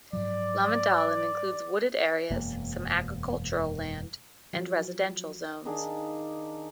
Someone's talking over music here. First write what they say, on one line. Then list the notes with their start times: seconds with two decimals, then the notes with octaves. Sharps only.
Lommedalen includes wooded areas, some agricultural land, and residential zones.
0.13 G#2 F3 F#3 D5
2.30 E1 F#2 A#3
4.53 F3 F#3
5.65 D#3 D4 G#4 F5